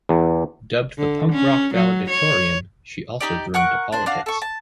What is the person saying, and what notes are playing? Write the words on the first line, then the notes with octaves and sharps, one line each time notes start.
Dubbed the "punk-rock valedictorian," she also grew into politics.
E2
D3
C#4
F#3
C#5
D#4 G4 D5
A#4 F#5 C#6 F#6
D4 C5
D4 F#4 F5
A4 C#6
A5